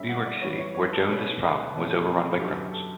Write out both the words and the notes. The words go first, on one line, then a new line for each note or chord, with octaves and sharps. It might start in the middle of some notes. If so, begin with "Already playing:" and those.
New York City, where Jones is from, was overrun by criminals.
Already playing: D3 G3 C#4 E5
F#5
D5
G2 E3 G3 B3 C#5
C#5
C#5
B4
A4
B2 A3 C#4 B4
E2 B2 A3 C#4
F#2 D3 F#3 B3 D4 G4
G4
A4